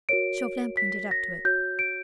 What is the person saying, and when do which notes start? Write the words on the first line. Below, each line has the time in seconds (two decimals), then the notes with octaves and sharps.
Chauvelin pointed up to it.
0.09 F#4 A#4 C#5 D7
0.77 B6
1.11 A#6
1.45 F#4 C#5 G6
1.79 D7